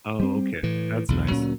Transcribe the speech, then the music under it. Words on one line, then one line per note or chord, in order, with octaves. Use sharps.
Oh, okay. That's nice.
G3 C4
A2 E3
B1 E2 D3
D2 A#2 F#3 C#4